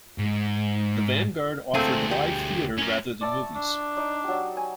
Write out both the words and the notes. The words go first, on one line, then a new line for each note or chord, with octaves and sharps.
The Vanguard offered live theater rather than movies.
G#2
D2 A#2 A3 C4 G#4
G4
C#4 A#4
D5 E5 A5 C#6
D4
D#4 D5 D#5
F#3 G4
G#5